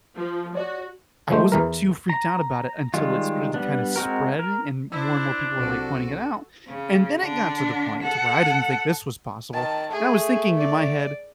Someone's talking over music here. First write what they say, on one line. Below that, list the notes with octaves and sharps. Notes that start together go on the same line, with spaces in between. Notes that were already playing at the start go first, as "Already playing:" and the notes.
I wasn't too freaked out about it until it started to kind of spread and more, and more people were, like, pointing it out. And then it got to the point to where I didn't think this was possible, and I was thinking in my head,
F3
F#4 C#5 D5
F3 G#3 A3 C5
E2 E3 A#4
A#5
D#3 G3 G#3 F4
G3 B3 D4
G#3 C4 F#4 A#4
A#4
D4 E4 C5 E6
C2 F#3 C4 F#4 A4
C#3
D3 D4
A4 F#5
D#3 A5
A3 G#4
D5